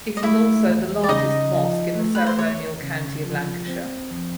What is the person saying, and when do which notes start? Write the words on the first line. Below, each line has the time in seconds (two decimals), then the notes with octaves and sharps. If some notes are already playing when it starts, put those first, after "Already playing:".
It is also the largest mosque in the ceremonial county of Lancashire.
0.17 D#5
0.23 A3 E4 E5
0.66 E2
1.04 D5
1.09 C#3 D#4 D#5
1.52 F3
1.95 A3
2.15 B4
2.27 C5
2.38 E2 C#5
2.82 C#3
3.25 F3
3.68 C4
4.11 F2